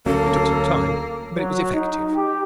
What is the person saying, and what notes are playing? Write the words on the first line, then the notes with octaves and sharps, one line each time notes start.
It took some time, but it was effective.
D2 F#3 A#3 C#4 A4
F#3
D#4
G4